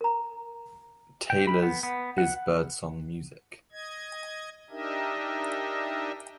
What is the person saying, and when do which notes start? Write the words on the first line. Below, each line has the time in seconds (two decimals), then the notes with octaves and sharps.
Taylor's 'Is Birdsong Music?
0.01 A#4 A#5
1.30 G5
1.47 B5
1.63 B3
1.83 B3
2.18 F#5
3.72 D#5 G#6
4.70 D4 D#4 G4 A#4 D#5 E5